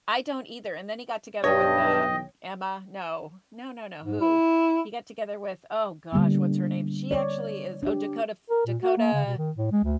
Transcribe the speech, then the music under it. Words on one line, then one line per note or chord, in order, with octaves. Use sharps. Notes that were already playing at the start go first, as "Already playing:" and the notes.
I don't either, and then he got together with, um, Emma. No, no, no, no. Who? He got together with, oh gosh, what's her name? She actually is oh, Dakota F Dakota,
B1 G2 B3 C#5 D#5 G5
G#2
E4
D3 G3 A#3 B3
C#5 D5
D4 G4
A#4
A#2
F#4
A#3
C#3
B2
D#3
A2
G#3
D2